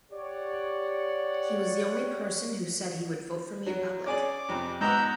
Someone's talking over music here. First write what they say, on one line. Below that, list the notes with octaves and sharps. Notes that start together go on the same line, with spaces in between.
He was the only person who said he would vote for me in public.
G4 C#5 D5 F#5
F#3
C#4 G#4 D5 D6
F2 C3
G#2 B3 F#5 A#5 E6 G6